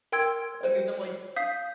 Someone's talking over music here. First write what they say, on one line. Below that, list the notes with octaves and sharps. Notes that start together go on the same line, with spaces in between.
I'll give them like
A#4 G5 C6 E6 G#6
C5
F5 D#6 G6 B6